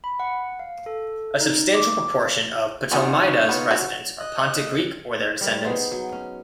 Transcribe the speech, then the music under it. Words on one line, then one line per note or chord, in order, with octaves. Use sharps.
A substantial proportion of Ptolemaida's residents are Pontic Greek or their descendants.
B5
F#5
F5
A4
D#4
D6
B3 C#4 D#4 F4 F#4 C#5
B3
F#3 F#4
D#5 F#6
G3 A#4
B3 D#4 G#4 C5
F#3
C#4